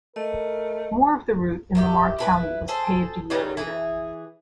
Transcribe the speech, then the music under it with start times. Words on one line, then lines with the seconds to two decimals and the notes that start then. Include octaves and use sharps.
More of the route in Lamar County was paved a year later.
0.16 A3 A#4 D#5
1.75 D#3 E4 G4
2.19 E4 G#4 B4
2.68 G#4 A4 C5
3.30 C#3 F#3 G3 D#4
3.57 E3 G#4